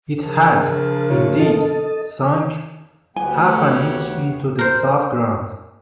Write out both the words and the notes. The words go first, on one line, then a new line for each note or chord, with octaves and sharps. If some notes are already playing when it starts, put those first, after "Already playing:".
It had, indeed, sunk half an inch into the soft ground.
C#3 F3 D4 A#4
E4 F#4 C#5
A4 D#5 A5
D2 B3 G4 C#5 F#5 G#5
A#4 C5